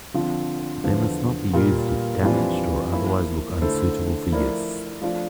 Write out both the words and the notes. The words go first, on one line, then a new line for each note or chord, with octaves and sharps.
They must not be used if damaged or otherwise look unsuitable for use.
D3 F3 C4 F4
E2 D3 F3
A#2 G3 A#3 F4 A#4
F2 E3 G3 D4 F4
F3 A#3 E4
D3 A3 E4 A4 C5
F3 A3 E4 A#4 D5
F3 A3 D4 F4